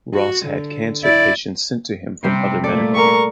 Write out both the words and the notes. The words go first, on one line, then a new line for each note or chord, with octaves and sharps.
Ross had cancer patients sent to him from other medical men.
F#4
D3
E4 D5
C3 G3 C7
A#2 A3 A4 D5
A#4 C#6